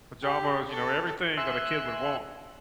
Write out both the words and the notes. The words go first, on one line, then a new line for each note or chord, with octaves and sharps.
pajamas, you know, everything that a kid would want.
G4
A4
E5 G#5 C6 E6 F#6